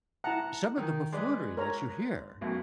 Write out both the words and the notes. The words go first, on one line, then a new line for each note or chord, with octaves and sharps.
some of the buffoonery that you hear
E4 F#5 A5 A#5
D#3
G#3 B4 D5
A#4 C#5 A#5
B1 F#2 B2